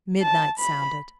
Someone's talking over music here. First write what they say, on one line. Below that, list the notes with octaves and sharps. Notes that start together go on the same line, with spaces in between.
Midnight sounded.
A5
B5